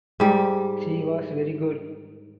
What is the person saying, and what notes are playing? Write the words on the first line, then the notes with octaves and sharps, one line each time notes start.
She was very good.
G#2 G3